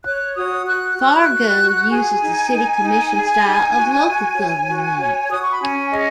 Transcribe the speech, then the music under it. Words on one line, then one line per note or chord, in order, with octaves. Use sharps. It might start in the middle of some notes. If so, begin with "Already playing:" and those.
Fargo uses the city commission style of local government.
C#5 F#6
F#4 D#6
F#4 F#6
F#4 F#6
F#4
F#4
G#4 G#5
D#4
D#4
D#4
G#4
D#4
F#4
F#4
C#5
F#4
C#5
F#4 D#6
C#6
B5
C#4 G#5
G#4 D#5